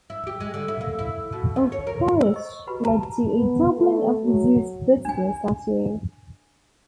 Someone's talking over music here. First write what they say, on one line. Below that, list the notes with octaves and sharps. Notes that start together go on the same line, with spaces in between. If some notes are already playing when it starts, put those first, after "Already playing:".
Obaysch led to a doubling of the zoo's visitors that year.
E4
G4
G#3
D3
E4
A#3
E4
B2
D#2
C#5
A#4
C5 E6
D#5 C#6
F#4 G4 B4 B5
A5 A#5
B3
A3
F#3
D4 G#5